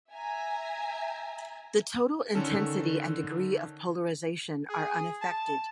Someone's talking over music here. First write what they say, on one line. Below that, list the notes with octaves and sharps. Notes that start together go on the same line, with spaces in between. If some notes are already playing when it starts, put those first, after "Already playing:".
The total intensity and degree of polarization are unaffected.
E5 G#5 A#5
D3 D#3 C#4 A4 A#4
G#4
A5